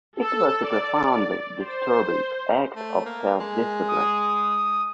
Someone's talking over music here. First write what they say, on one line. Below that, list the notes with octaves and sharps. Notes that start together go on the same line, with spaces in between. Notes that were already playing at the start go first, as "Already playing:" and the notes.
It was a profoundly disturbing act of self-discipline.
A4
D5
C5
A3
A#3
G#3
D#6